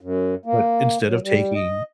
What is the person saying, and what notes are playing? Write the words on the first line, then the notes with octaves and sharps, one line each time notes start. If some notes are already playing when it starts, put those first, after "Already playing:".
but instead of taking
F#2
A#3
F#3
G3
D#5